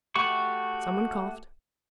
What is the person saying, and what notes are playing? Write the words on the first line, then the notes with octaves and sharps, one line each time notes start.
Some one coughed.
A3 F#4 G4 C#6